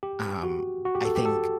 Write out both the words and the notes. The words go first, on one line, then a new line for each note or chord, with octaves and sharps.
um, I think
G4
F#4
F#4
G4
A4
G4
A4